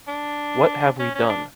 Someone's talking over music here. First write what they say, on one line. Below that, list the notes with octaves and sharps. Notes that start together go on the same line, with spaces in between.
What have we done?
D4
C#4
C#4
D4